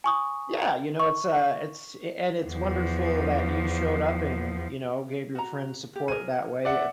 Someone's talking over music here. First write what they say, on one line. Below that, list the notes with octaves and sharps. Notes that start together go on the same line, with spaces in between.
Yeah, you know, it's, uh, it's eh, and it's wonderful that you showed up and, you know, gave your friends support that way, eh,
G#5 C#6 D#6
C#6
E2 F3
F#4 A#5
G4
G#4 A#4 D#7
D5 E5 F#5